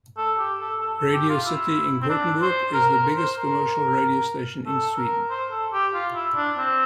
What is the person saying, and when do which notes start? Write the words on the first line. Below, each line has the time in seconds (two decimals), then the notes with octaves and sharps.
Radio City in Gothenburg is the biggest commercial radio station in Sweden.
0.18 A4
0.39 G4
0.60 A4
0.81 A4
0.97 A4
1.13 G4
1.29 F4
1.45 E4
2.02 C4
2.09 D4
2.42 C5
2.73 A#4
2.95 A#4
3.16 C5
3.37 A#4
4.66 A4
4.97 A#4
5.30 C5
5.51 A4
5.72 G4
5.94 F4
6.14 E4
6.36 D4
6.57 C4